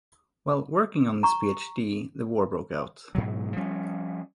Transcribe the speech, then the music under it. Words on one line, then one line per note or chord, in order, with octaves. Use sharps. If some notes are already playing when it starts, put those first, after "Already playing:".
While working on his PhD the war broke out.
A#5 C#6
G#2 B2 F#3
F3 G3 C#4